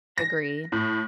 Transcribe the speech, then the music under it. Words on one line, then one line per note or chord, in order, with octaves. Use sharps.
I agree.
A#6
A2